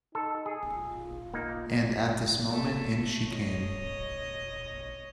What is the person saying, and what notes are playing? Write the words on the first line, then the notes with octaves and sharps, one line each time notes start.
And at this moment in she came.
D#4 A4
G#4
F4
A#3 D#4
A3
C#5 D#5